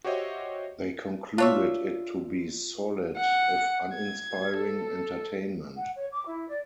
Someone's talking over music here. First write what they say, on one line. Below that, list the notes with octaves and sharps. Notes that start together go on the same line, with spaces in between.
They concluded it to be solid, if uninspiring, entertainment.
F#4 G4 C5 C#5 D#5 E5
D4 F4 C#5 E5
F#5
G#6
A4
F#5
C#5
D6
E4
D5